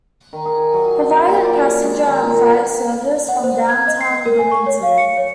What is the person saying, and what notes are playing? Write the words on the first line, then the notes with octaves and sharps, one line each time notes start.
Provided passenger and freight service from downtown Wilmington.
D#3
G#4
F#3
C5
A#2
D5
G#3
D#3
A#2
F#5
C5
G#6
D#5
C7
A#4
G#5
C#6
C#5
F5
C#7
C#5